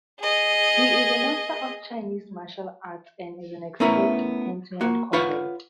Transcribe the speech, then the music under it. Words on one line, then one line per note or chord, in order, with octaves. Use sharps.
He is a master of Chinese martial arts, and is an expert hand-to-hand combatant.
G#4 D#5
A3 B3 C#4 E4 A#4
A#3 F#4
F4 B4 C#5 F5 F#5